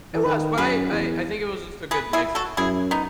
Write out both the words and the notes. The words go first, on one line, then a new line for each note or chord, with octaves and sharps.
It was, but I I I think it was just a good mix of things.
E3
D#3
F#2 G#4 B4
E2
G#4 B4
E4 G#4
F#4 A4
F#2 E4 G#4
B3 D#4